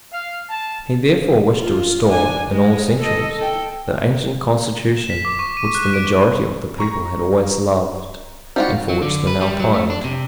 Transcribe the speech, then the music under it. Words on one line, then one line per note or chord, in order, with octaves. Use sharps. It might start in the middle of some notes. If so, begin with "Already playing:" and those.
He therefore wished to restore, in all essentials, that ancient constitution which the majority of the people had always loved, and for which they now pined.
F5
A5
F4
D4 G#5
G#3
A4 D#5
A4 G5
E7
B6
D6
C#6
D#7
F#6
D7
A#5 C#6 A#6
G3 C4 D#4 F4 F#4
F#3
D3
B4
G3
F#3
A3
D4
C3